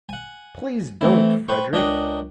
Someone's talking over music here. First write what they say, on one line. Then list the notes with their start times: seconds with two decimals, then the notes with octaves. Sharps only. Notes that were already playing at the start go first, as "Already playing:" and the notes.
Please don't, Frederick!
0.09 F#5 G#5
1.01 E3 A3 C4 E4
1.48 B4 C5 G5 C#6
1.73 C#2 D4 A#4 D#5 F#5 G5